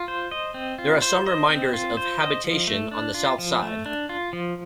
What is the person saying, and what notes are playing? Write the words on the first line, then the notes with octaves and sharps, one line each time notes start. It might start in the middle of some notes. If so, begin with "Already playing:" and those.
There are some reminders of habitation on the south side.
Already playing: F4
C5
D#5
C4
F4
C5
D#5
C4
F4
C5
D#5
F3
A3
D4
F4
F3
A3
D4
F4
F3